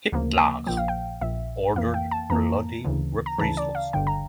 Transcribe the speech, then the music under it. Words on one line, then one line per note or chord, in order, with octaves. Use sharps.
Hitler ordered bloody reprisals.
D2 C#3 F3 A#3
A#1 A#2 F3 G5
F5
G5
A#1 A#2 F3 E5
F2 E3 A#3 F5
G5
A5
F2 E3 A#3 A#5
D2 C#3 E3
A#5
D2 C#3 E3 A5
D5
F5
G1 G2 D3 G5
A#5